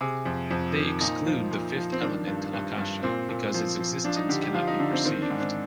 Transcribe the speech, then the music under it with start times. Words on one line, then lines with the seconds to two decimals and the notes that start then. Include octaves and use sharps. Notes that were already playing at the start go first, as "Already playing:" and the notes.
They exclude the fifth element, Akasha, because its existence cannot be perceived.
0.01 C3 G#4
0.25 F2
0.51 F2
0.76 D#3
1.01 A#2 D#4
1.26 F3
1.51 A#2
1.77 F3
1.92 C4
2.02 D#3 D4
2.27 G2
2.53 G2
2.78 G2
3.03 A#2 C4
3.29 A#2
3.54 F3
3.79 F3
4.04 F3 D4
4.16 D#4
4.29 D3 G4
4.42 G4
4.54 F3 F4
4.67 D#4
4.79 D3 D4
4.93 C4
5.05 D#3 C4
5.22 D4
5.30 G#2
5.39 D4